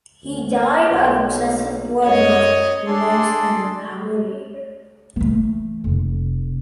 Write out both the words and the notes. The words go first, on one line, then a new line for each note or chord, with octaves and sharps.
He died of excessive blood loss less than an hour later.
D2
B1
F#2 C#5 D#5
D4 G#4 A4 D5 C6
E3 A3
F1